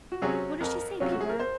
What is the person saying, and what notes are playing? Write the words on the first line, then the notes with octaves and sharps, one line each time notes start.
"What does she say, Peter?"
F#4
C3 F#3 C#4 G#4
F2 A#4
C3 F#3 C#4 F4
F#4
G#4
A#4
C5